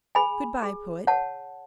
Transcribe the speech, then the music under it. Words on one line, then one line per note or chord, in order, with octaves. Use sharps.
Good-bye, poet.
G#4 G#5 B5
G#4
C#5 F#5 A5